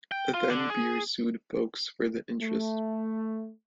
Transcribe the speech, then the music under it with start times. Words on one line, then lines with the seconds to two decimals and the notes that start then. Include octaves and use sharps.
Then Beer sued Foakes for the interest.
0.12 G5
0.34 F4
0.51 D3
0.70 G#4
2.41 A3